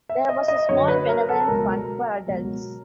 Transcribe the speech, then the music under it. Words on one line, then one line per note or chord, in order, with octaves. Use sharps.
There was a small benevolent fund for adults.
E5
D#5
D#5
F#2 D3 F#3 C#5
B4
A#4
A4
C#2 B2 F#3 A#4
C#2 B2 F#3